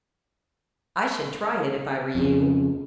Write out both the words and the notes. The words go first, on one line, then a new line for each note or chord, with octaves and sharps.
I should try it if I were you.
F2 C#3